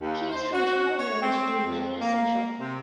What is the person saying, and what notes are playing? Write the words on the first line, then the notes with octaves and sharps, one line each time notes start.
He is from Java Village in Buhera Central.
D#2
C5
F#4
C#5
C4
F2
A#3
C3